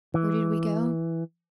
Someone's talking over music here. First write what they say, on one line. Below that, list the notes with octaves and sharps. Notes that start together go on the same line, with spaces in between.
Where did we go?
E3